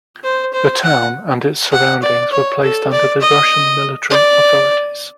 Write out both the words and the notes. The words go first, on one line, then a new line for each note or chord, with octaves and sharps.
The town and its surroundings were placed under the Russian military authorities.
C5
C5
F#5
F#5
D5
C#5
A4
D5
D#5
D5